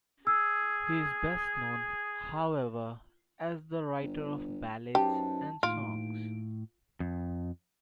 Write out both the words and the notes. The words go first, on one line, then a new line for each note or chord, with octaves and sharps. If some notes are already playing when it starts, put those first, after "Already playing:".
He is best known, however, as the writer of ballads and songs.
G#4 E6
G1
F#2 D#4 G4 B4 C5 A5
D#2 A2 F4 D7
F2